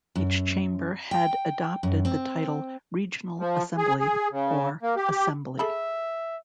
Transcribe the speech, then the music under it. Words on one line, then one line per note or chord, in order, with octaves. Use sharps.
Each chamber had adopted the title "regional assembly" or "assembly".
F#2
G5
F#2
C4
F3
G#4
G#4
C#3
A#3
G4
G4
G#4 A4 E5 B5